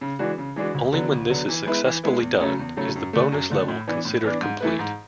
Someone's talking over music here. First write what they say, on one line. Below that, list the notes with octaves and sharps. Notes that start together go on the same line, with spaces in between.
Only when this is successfully done is the bonus level considered complete.
C#3
E3 G#3 D4 F#4
C#3
E3 G#3 D4 F#4
D2
D3 F#3 B3
D2
D3 F#3 B3
E3
G#3 B3 E4 B4
E3
G#3 B3 E4 B4
E2
C#3 F#3 A3 C#4
E2
C#3 F#3 A3 C#4
F#2
D3 A3
F#2
D3 A3
A2
E3 B3 D4
A2
E3 B3 D4
G#2
E3 A3 E4 B4
G#2